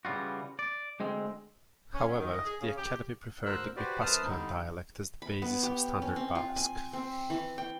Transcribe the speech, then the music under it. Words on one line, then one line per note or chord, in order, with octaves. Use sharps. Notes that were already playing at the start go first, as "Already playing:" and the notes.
However, the Academy preferred the Guipuscoan dialect as the basis of Standard Basque.
C#3 E3 G3 F4 F#4
D5
D2 G#3 C4
C#4
F#3
D#3
D#5
G#4
C#3
G4
D2 G#2 A#4 C5 E6 F#6
F#4 G4 B4 C5 D5
F#2 B4 C5 A5 D#6 F6
D3 G3 D#4
B5
B3
G4
C#4
C4
F4
G#5
C4
E3
G5